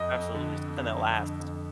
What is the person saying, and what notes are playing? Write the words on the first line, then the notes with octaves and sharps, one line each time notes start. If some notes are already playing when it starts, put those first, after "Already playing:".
Absolutely, something that lasts.
Already playing: F2 D#5
F2
D3
D3
F2
F2
D3
F2